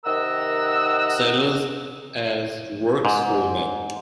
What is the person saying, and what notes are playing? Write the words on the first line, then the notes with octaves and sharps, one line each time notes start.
Sellars as Works Foreman.
C3 D#3 A#4 D#5 F#5 E6
G#2